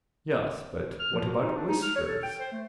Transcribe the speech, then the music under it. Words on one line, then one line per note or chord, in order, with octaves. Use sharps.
Yes but what about oysters.
F6
F3
F#4
D#4
D4
D#4
F6
C#5
A4
G5
C5
A3